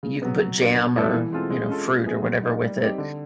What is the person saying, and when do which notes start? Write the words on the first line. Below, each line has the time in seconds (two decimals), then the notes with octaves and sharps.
you can put jam or, you know, fruit or whatever with it,
0.03 C#3
0.22 F#3 B3
0.40 F#3
0.58 A#3 D4
0.77 B2
0.96 G3 B3 E4 A4
1.13 E3
1.32 G#3 C4 F4 A4
1.50 G#3
1.69 C#4 F4 A4
1.87 G#3
2.06 B3 E4 G#4
2.24 F#3
2.43 A#3 D#4
2.62 G3
2.80 C4 D#4 G4
2.98 D3